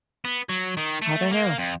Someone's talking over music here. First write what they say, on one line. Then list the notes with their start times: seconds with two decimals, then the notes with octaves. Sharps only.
I don't know.
0.25 B3
0.49 F#3
0.77 D#3
1.02 A3
1.32 A#3
1.58 F2